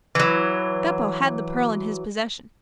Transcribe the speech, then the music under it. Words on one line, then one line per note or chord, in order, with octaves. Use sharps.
Beppo had the pearl in his possession.
E3 F#3